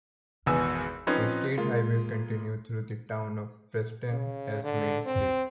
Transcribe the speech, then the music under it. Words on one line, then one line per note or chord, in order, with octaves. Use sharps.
The state highways continue through the town of Preston as Main Street.
G#1 E2 B2 B3 G#5 E6
F3 C4 C#4 D#4 B4
G#3 A#3 F4
C#3
D3
C4